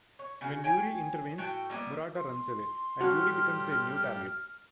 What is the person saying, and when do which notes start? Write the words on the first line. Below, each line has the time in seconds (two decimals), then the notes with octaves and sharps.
When Yuri intervenes, Murata runs away, and Yuri becomes their new target.
0.19 C#5
0.41 C#3 F#4
0.64 C#5 G5 G#5
1.38 A2 F#4 G5
1.70 G3 A#3 B3 E4
2.17 C6
3.01 A2 G3 F#4 G4 F6